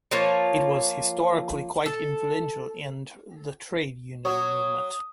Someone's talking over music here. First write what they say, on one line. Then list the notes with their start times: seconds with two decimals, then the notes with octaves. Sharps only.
It was historically quite influential in the trade union movement.
0.11 F3 A#3 F4 C#5
1.86 A4
4.25 F#3 F#4 C#5 D#6